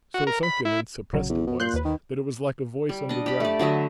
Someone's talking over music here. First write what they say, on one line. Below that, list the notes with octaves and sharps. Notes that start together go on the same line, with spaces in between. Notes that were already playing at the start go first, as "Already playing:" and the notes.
So sunken and suppressed it was, that it was like a voice underground.
F#4
A#4
B5
E4
A#1 C#3 F#3
E2
B2
A#2 C6 F#6 G6
D#2 B4
D#3
G3
D4 D#5
G4 B5
A3 D5
D3 F#3 D#5 E5